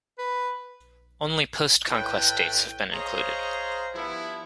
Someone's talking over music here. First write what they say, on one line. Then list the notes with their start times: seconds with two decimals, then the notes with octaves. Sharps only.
Only post-conquest dates have been included.
0.19 B4
1.90 A2 B4 G5
2.93 G#4 C5 C#5 D#5 F5 A#5
3.95 G2 F3 B3 E4